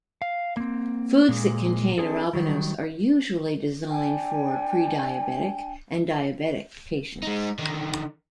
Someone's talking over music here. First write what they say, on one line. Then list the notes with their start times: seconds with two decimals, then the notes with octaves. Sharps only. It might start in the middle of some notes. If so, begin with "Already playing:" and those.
Foods that contain arabinose are usually designed for prediabetic and diabetic patients.
0.22 F5
0.57 A#3 C4
1.29 A#2 G#3
1.98 C4 D4 G#4 A4
2.33 D#3 F#3 G3
3.90 D4 G5 G#5
7.23 G#3 D#4
7.59 D3 D#3